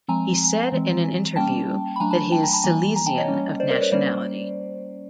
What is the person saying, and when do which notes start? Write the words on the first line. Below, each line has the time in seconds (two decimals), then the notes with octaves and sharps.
He said in an interview that he is Silesian of nationality.
0.08 F3 G#3 C4 G#5 A#5
0.72 E3 G#3 C4
1.36 G3 A#3 C#4 G5 A5
1.96 B5
2.00 F#3 A3 D4 G#5 A#5
2.11 A5 B5
2.32 G5 A5
2.43 G#5 A#5
2.53 A5 B5
2.64 E3 G3 A#3 G#5 A#5
2.96 G#5 A#5
3.06 G5 A5
3.18 C#5 D#5
3.28 G3 A#3 C#4
3.60 C5 D5
3.70 A#4 C5
3.76 D5
3.81 B4 C#5
3.92 G3 A#3 C#4 C5 D5